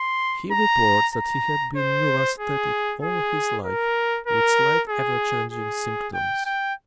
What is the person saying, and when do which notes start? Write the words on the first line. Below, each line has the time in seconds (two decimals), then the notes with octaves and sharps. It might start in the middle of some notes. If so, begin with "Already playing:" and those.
He reports that he had been neurasthenic all his life with slight ever-changing symptoms.
Already playing: C6
0.52 A#5
1.14 A#5
1.76 C5
2.39 G#4
3.01 G#4
3.64 A#4
4.26 A#4
4.89 G#4
5.52 G#4
6.14 G5
6.45 G5